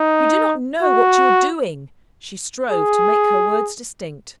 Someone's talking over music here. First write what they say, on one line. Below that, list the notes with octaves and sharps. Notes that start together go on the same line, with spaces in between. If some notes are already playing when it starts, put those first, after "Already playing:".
You do not know what you are doing.' She strove to make her words distinct.
Already playing: D#4
F#4
G#4